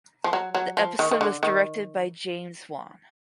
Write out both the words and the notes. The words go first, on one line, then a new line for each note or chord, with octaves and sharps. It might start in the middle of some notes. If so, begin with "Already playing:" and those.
The episode was directed by James Wan.
F3
F#3
F#3
F3
D#3
D#3
D3
D#3